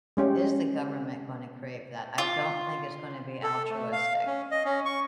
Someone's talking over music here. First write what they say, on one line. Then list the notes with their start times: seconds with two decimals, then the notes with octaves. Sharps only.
is the government gonna create for that? I don't think it's gonna be altruistic.
0.17 G#3 C#4 G4
2.18 F4
3.43 A4
3.70 A3
3.92 F5
4.27 C#4
4.51 D#5
4.65 C#4
4.86 C#6